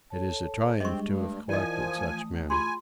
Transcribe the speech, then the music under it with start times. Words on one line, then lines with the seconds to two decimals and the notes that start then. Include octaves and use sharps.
It is a triumph to have collected such men.
0.10 A4 C#5 A5
0.80 G3 G#3 C4 D4 D#5 C#6
1.07 G2 A3
1.49 E3 F3 A#4 D5 D#5 G#5 D#6
1.97 A3
2.50 F4 G#4 G#5 C6